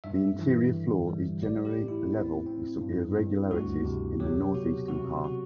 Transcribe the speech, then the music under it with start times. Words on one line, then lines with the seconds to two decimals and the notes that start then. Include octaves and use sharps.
The interior floor is generally level with some irregularities in the northeastern part.
0.04 G2 E5
0.39 E3
0.73 D3
1.08 G3
1.42 A1 D5
1.65 G4
1.77 A2
1.88 E4
2.12 C4
2.46 C4
2.81 G2
3.16 G2
3.51 D2 F#4
3.85 C3
4.20 F#3 G4
4.54 B2 F#4
4.88 C3 F#4
5.24 F#4